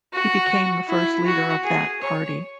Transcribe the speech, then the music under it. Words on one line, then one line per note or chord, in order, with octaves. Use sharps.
He became the first leader of that party.
F#4
E4
F#4
G#4
C#5